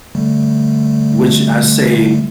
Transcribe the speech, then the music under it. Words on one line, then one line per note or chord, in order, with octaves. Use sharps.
which I say
D3 G3 A3